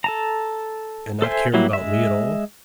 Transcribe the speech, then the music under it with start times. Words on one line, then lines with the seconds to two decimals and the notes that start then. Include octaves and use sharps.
'And not care about me at all?'
0.04 A4 A5 A#5
1.22 A4 C5 E5 G#5
1.54 F#3 G3 A#3 E4
1.73 G#3 E5